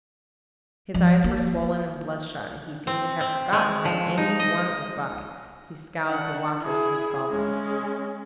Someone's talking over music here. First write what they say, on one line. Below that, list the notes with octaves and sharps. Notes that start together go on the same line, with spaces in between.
His eyes were swollen and bloodshot, and he seemed to have forgotten that any one was by; he scowled at the watchers when he saw them.
F3
A#3
C4
C4
G#3
F3
D#4
D#5
D4 F#5
E4 G#4
G#3 C#4